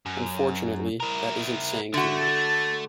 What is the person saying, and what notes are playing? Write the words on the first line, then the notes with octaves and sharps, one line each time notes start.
Unfortunately, that isn't saying too much.
F#2
E4 A#4
D3 A3 F#4
A6